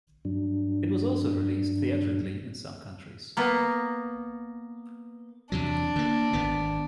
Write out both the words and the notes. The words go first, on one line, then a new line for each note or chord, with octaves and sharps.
It was also released theatrically in some countries.
G2 F#3 D4
A#3 B3
E2 C3 F#3 D4
D3 A#3
G#1 B3